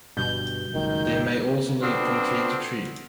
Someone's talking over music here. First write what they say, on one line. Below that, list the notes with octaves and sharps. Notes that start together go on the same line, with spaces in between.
They may also leap from tree to tree.
G1 G2 B2 G6
F#1 C#2 D#3
B2 D3 B3 C4 D4 F4